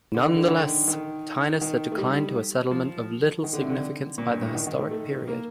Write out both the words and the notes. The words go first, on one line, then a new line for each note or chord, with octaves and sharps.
Nonetheless, Thinis had declined to a settlement of little significance by the historic period.
D3
D#3
D3
D#3
D3
D#3
D#3
A3
G3
F3
D#3
D3
C3
D3
A#2
G2
A2
D#3
D#3
A3
A3
A#3